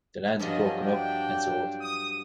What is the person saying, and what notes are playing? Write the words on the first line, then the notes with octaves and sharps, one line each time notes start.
The lands were broken up and sold.
G2 F3 F#3 C#4 D#5
D4 G5
D#6